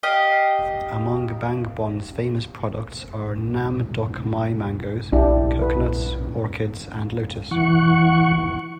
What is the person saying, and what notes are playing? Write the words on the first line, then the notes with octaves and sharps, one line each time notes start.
Among Bang Bon's famous products are Nam Doc Mai mangos, coconuts, orchids, and lotus.
G4 D#5 F5
B1 D4 E4 G4
B4
E3 F#5 C#6